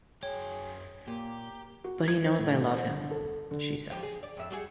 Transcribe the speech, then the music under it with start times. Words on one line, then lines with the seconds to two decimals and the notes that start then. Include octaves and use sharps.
But he knows I love him, she says.
0.23 F#2 F#3 G#4 C#5 G5
1.08 A#2 G4 A#4
1.84 F#4
2.08 G#6
2.25 C5
2.39 A2
2.74 C5
2.88 G1
3.11 A4
3.51 D3
3.90 D#2 F3 G4
4.03 G#4
4.23 D5
4.37 F2 E5
4.50 G3 F#4 G#4